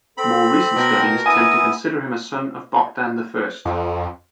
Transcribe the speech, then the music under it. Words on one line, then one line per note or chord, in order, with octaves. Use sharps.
More recent studies tend to consider him a son of Bogdan the First.
C4 A4 B5
B2 A#4 G5
B3 E4 G#5 D#6
F2